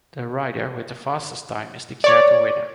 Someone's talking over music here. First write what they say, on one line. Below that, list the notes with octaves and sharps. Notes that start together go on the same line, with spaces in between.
The rider with the fastest time is declared the winner.
C#5 D5